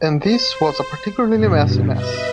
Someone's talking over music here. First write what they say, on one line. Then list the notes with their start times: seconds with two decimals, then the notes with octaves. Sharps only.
And this was a particularly messy mess.
0.21 C5
1.33 G2 B2
1.91 B4 D#5 E5